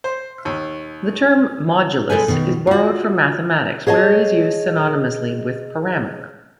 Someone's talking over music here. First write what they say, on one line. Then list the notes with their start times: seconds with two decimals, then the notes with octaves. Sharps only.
The term "modulus" is borrowed from mathematics, where it is used synonymously with "parameter".
0.04 C5
0.45 D#2
2.10 B2 G#3 A4 B4 G#5
2.28 B2 D#3
2.67 F4 F#4
3.87 G#4 C#5 D#5 F5 A5